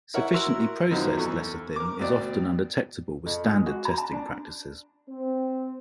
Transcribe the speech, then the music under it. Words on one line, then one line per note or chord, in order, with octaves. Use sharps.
Sufficiently processed lecithin is often undetectable with standard testing practices.
E4 A#4 C#5 E5 F#5 C#6
E4 F#4 A#4 C6 E6
F#2 B2 D#3 F3
E2 A4 C#6
A#4 D6
D2 B2 D5 G5
F2
G#3
F#4
A#5
A5
D4
C4